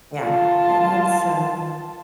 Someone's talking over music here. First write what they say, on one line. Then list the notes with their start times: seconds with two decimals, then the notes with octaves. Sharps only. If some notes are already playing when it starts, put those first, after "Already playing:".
Yeah. Yeah, that's, uh
0.21 F4 A5